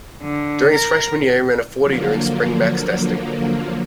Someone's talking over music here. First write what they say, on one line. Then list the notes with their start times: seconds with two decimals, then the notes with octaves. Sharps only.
During his freshman year, he ran a forty during spring max testing.
0.23 D3
0.74 A#4
1.80 D3 F3 F#3 A#3